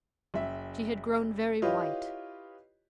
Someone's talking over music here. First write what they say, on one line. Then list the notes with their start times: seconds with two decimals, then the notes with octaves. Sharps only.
She had grown very white.
0.34 F#1 E5
1.62 E4 F4 G4 B4 C#5 D#5